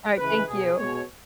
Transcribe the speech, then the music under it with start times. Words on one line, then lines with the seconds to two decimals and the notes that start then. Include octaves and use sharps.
Alright, thank you.
0.18 C#3 E3 G#3 B4
0.47 B2 F#3 G#4
0.76 B2 G#3 C#5